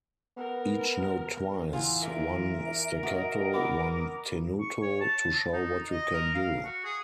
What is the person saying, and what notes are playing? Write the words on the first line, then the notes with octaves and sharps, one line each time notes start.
Each note twice, one staccato, one tenuto, to show what you can do.
B3 A#4
E2 F4 G#5
A#4 D5 E5
F#4 D#5 D6
B3 D6
C#6
C#5
A5
D#4
D#5
A#4
F5
F#4
G#4